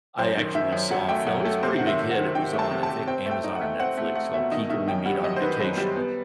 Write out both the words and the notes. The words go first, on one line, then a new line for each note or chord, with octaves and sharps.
I actually saw a film it was a pretty big hit, it was on, I think, Amazon or Netflix, called People We Meet on Vacation,
F#2 C5
D#3
D#3 E5
F#2
F#3 F#5
A3 G5
F#2 F#5
A3 A4
C3 C5
D#3 F#5
E5
A3
F#5
D#3
D#3 G5
A3
A5
C3
A5
C3
C4 G5
A3
G5
D#4
F#5
A3
C4 F#5
A3
A3 F#5
B2 E5
D#3 D#5
D#3 E5
F#2 G5
G3 F#5
F#2 D#5
C5
D#3 B4
F#2 C5
G3
B3